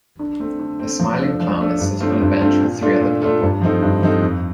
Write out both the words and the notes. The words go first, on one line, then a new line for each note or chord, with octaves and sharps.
A smiling clown is sitting on a bench with three other people.
D3
A3 C4
D3
A3 C4
F3
A3 D4 A4
F3
A3 D4 A4
G2
D3 A3 C4 F4
G2
D3 A3 C4 F4
A#2
A3 D4 F4 A4
A#2
A3 D4 F4 A4
G2
F3 C4 D#4 A4
G2
F3 C4 D#4 A4
F2